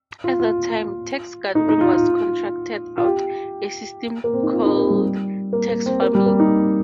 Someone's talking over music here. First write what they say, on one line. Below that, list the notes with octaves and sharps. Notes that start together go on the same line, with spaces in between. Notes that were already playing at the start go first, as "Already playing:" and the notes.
At that time, tax-gathering was contracted out, a system called tax farming.
F4
F4
D#4
D#4
F4
F4
F4
G4
A#3
C4
D#4
F4
D#4
A#3
G3
A#3
A#3
C4
A#3
G3
A#3
D#4